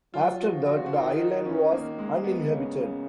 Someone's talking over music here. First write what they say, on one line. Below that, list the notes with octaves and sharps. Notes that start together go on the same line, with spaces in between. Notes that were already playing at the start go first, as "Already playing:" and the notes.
After that, the island was uninhabited.
F#3 F4
F#4
F3
F#4
F#4
D#3 F4
D#4
C#4
A#3
G#3
B3
C#3